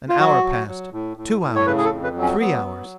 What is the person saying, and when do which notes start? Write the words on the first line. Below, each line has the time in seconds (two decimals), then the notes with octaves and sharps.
An hour passed ... two hours ... three hours.
0.09 F4
0.19 F#3 F#4
0.43 F#3
0.68 F#3
0.93 A2
1.17 A2
1.42 A2
1.55 C#5
1.66 C#3 B4
1.78 G#4
1.85 A4
1.92 F2
2.03 B4
2.16 F#3
2.22 C#4
2.40 F#3 B3
2.65 F#3